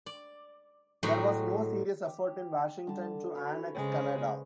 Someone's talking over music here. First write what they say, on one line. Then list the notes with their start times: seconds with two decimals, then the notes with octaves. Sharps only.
There was no serious effort in Washington to annex Canada.
0.06 D5
1.03 A2 F#3 G#3 F#4 G5
2.07 G4
2.87 D3 G3 A5
3.35 F#4 B4 C#5 G#5
3.75 C#3 G#3 C5